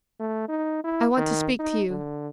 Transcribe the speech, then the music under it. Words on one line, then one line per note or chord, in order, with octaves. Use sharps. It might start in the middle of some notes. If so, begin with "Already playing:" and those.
I want to speak to you.
A3
D#4
E4
D#3
D#4
D3